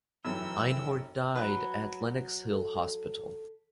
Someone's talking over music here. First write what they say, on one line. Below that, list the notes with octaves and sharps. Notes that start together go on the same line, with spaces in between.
Einhorn died at Lenox Hill Hospital.
F1 F#2 E3 G5 E6
F#3 B4
A4